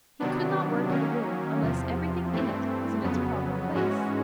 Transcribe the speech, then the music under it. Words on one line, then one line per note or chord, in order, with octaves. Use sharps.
He could not work in a room unless everything in it was in its proper place.
C3 D#3 F#3 B3 D4
D#3 F#3 A#3 C#4
E2 C3 F3
G2 E3 A3 C4
F2 C#3 F#3 B3
G#2 E3 G#3 C#4 F#4